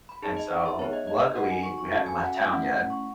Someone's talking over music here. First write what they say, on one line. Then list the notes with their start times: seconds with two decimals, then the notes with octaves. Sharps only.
And, so, luckily we hadn't left town yet,
0.09 B5
0.22 D#4 G#4 A5
0.37 D#5
0.50 F#5
0.66 E5
0.79 B3 D#4 G#4 C#5
0.93 D#5
1.07 D#5
1.21 D#5
1.35 D#4 F#4 A4 F#5
1.49 G#5
1.63 C#6
1.78 C#6
1.91 C#4 F#4 A4 A5
2.06 G#5
2.20 F#5
2.34 E5
2.48 A3 C#4 E4 F#5
2.62 F#5
2.76 F#5
2.90 C#6